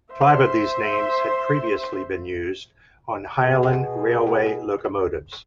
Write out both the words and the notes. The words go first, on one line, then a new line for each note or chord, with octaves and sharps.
Five of these names had previously been used on Highland Railway locomotives.
C5 E5
B2 G#4